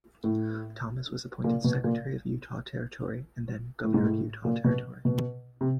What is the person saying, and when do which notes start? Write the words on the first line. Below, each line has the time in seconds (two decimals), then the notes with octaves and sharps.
Thomas was appointed secretary of Utah Territory and then Governor of Utah Territory.
0.24 A2
1.44 A#2
1.64 B2
1.84 A#2
3.84 A2
3.94 G#2
4.03 A2
4.45 A#2
4.64 B2
5.05 B2
5.61 C3